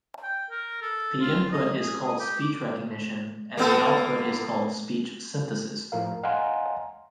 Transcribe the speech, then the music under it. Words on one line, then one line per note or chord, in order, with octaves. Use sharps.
The input is called speech recognition and the output is called speech synthesis.
G5
A#4
A4
F4
D#5
G#4
D#6
G4
D6
A#3 B3 A4
A2 F3 A#4 F5
D#5 F5 F#5 G#5 A#5 C6